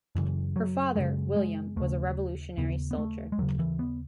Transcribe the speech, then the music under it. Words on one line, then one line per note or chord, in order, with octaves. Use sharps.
Her father, William, was a Revolutionary Soldier.
F#2 C#3 E3
F#3
F#2 C#3 G#3
G#3
D#2 C#3 A3
D#2 C#3 B3
B3
A3
G#3
D#2 C#3 F#3
E3
B3